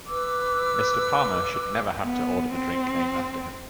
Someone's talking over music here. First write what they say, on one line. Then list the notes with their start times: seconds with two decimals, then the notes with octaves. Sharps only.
Mr. Palmer should never have to order the drink named after him.
0.08 B4 D6 E6
2.04 B3
2.55 C4